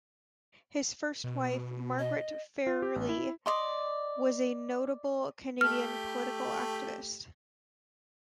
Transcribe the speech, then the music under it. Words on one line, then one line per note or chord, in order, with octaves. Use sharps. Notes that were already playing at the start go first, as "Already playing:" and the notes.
His first wife, Margaret Fairley, was a notable Canadian political activist.
B2
D#5
F4
G4
A1
E4
D5 D#5 C6
A3 G4 F6